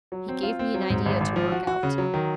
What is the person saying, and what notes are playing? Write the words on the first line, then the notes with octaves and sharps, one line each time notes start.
He gave me an idea to work out.
F#3
C4
F4
C4
F#3
G#2
G#1
G#1
F3
F#4
F#4
C#3
F#3
D#3